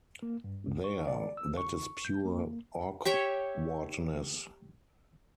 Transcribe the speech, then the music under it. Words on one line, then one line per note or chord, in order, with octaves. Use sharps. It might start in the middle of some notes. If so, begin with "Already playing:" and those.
There, that is pure awkwardness!
A#3
G2
C#6
D5
E6
C#6
G6
A#3
G4 C#5 E5 G5